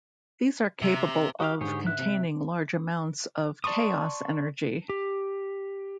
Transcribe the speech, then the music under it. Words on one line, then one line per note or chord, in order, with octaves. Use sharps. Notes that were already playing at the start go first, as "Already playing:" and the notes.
These are capable of containing large amounts of chaos energy.
C3 E5 A#5
F#4 G4 F5
G#2 D3 G4 G#4 C#5
E5 F#6
C3
D5 A5 C6 C#6 D#6
G4